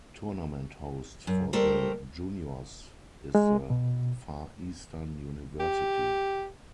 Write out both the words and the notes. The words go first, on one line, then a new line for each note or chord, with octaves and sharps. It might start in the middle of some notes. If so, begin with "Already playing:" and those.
Tournament host for the juniors is the Far Eastern University.
F#2
G3 A3 A#4 C5
G#3
B2
G4